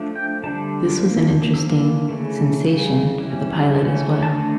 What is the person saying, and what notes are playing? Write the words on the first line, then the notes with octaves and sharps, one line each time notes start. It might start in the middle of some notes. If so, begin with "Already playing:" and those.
This was an interesting "sensation" for the pilot as well.
Already playing: F3 A3 D4
G5
D3 G3 D4 A5
F3 A#3
E3 A#3 D4 E6
C#3 E3 A3
C#3 G3
E3 G3 C#4
C#3 E3 A3 C#4
A5
D3 A3 D4 A#5